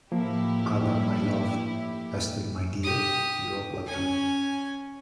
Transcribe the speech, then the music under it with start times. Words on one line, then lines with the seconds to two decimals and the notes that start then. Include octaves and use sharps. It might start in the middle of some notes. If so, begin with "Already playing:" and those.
Ada, my love, Esther, my dear, you are welcome.
0.12 A2 F3 A#3 E4 G4
2.83 G4 D#6
3.87 C#4 G#5